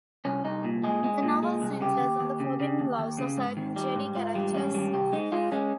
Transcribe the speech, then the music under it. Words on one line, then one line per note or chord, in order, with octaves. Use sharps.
The novel centers on the forbidden loves of certain Jedi characters.
C2 C#4
C2 D#4
A#2
G#3 G#4
G#3
A#2
G#3
C2
C#3 G4
D#2
D#2
C#3
C#3
D#2
D#2
C#3
G#2
D#3
G3
G#2
G#2 F4
G3
G#2 C#4
G3
C2 G4
G#3 D#4
G#3 F4
G#3 C#4